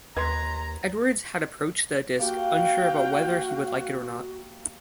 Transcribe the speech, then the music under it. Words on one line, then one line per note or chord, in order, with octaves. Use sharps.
Edwards had approached the disc unsure about whether he would like it or not.
D#2 B4 A#5 C6 G#6
A#3 F#4 G4 F5 G5